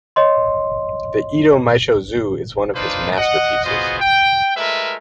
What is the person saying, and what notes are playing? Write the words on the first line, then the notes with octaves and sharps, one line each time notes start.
The "Edo Meisho Zue" is one of his masterpieces.
C#5 D#5 C6
A#3 D4 D#4 F4 B4 C5
D#5 F#5
B3 F4 F#4 G#4 C5 D#5
G5
G#3 A3 F4 A#4 B4 E5